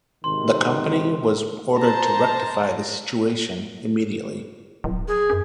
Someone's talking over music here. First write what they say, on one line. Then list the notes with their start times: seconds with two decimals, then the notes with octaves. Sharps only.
The company was ordered to rectify the situation immediately.
0.24 G#1 C3 D#3 C6
1.78 C5 A5 A#5
4.84 D1
5.08 G#4
5.30 F#2